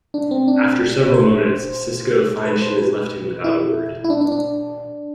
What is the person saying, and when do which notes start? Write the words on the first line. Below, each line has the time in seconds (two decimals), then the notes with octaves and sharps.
After several moments, Sisko finds she has left him without a word.
0.14 D4
0.31 C4
0.48 D4
1.14 C5
2.37 A4
2.45 B4
2.62 C5
2.78 B4
3.44 E4
4.04 E4
4.10 D4
4.21 D4
4.32 D4